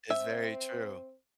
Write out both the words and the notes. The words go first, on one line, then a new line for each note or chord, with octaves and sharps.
It's very true.
C4 E5